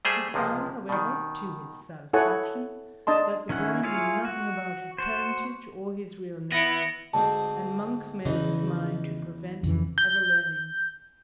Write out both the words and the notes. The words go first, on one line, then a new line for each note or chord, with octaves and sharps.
He found, however, to his satisfaction, that the boy knew nothing about his parentage or his real name, and Monks made up his mind to prevent his ever learning.
G3 A3 G4 G#4 C5 E5
C#2 C3 F3 G#3
B2 D#3
E4 A4 C#5 F#5 G#5
D4 D#5 A5 C6
D#3 C#4 E4 F#5
E4 F4 G#4 C#5 F5
F#4
F#4 C5
B3 E4 A#6 C#7 D7
D2 G#2 C4 A5
E2 C#3 E3 D#4
F2 C#3 E3
G6